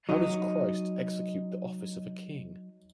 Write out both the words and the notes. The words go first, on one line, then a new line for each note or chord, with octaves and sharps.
How does Christ execute the office of a king?
F#3 D#4